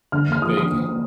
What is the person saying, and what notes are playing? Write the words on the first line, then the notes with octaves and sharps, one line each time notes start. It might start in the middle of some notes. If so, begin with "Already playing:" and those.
uh, baking,
D3 F6
D#2 F6
F3 D#6
F3 D#6
D#2